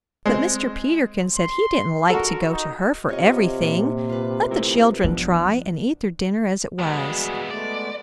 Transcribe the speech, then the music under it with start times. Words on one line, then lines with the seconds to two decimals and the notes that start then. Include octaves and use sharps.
But Mr. Peterkin said he didn't like to go to her for everything; let the children try and eat their dinner as it was.
0.26 G#3 C4
1.34 C6
2.10 F#4 A4 A#4
2.52 D#4
3.09 C3 F4 C#5 D#5
3.60 A#2
4.09 F4 B4
4.51 A3 E4 A#4
5.04 F3 B3 D4
6.79 G3 G#3 B3 F#4 G#4
7.51 G#3 A3 B3 D5